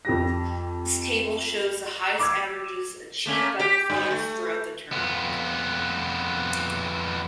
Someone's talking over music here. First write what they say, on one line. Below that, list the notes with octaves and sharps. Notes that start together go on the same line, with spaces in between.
This table shows the highest averages achieved by players throughout the tournament.
F2 G4 A#6
D6 E6 G#6
A3 A#3 C#4
G4
G2
A3
F2 B3